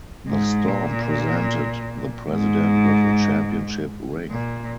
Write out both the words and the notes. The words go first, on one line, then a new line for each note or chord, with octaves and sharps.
The Storm presented the President with a championship ring.
G#2
A#2
G#2
A#2